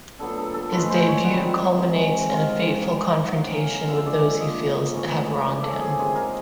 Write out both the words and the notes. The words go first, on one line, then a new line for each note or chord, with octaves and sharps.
His debut culminates in a fateful confrontation with those he feels have wronged him.
A#2 F#3 B3 D4 A4
A4
A4
A2 F3 G#3 B4
C5
C#5
D#3 G3 C4 F#5
C3 D#3 G#3 C4
C3 D#3 G#3 F5
C3 D#3 G3
F#5
C#3 F#3 A#3 F5
F5
F5
D3 F3 G#3 E5
D5
E5
A#2 F3 A#3 D#5
G#2 E3 A3 C#4
C#3 F3 A#3 C#4 D5
A4
G#4
C3 D#3 G#3 G#4
A#4